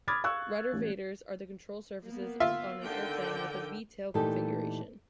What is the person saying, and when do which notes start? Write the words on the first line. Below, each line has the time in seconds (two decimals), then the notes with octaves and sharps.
Ruddervators are the control surfaces on an airplane with a V-tail configuration.
0.08 B5 D6 D#6 F6 G#6 A6
0.24 F5 C#6 E6 F#6
0.73 A1
2.06 A#3 B3
2.40 F4 E5 F5
2.83 D3 D#3 G5
4.14 A#2 E3 A3 D#4 G4 A4